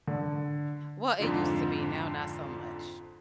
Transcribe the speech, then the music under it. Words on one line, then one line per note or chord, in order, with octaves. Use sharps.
Well, it used to be, now not so much.
D3
F2 G#2 D3 F4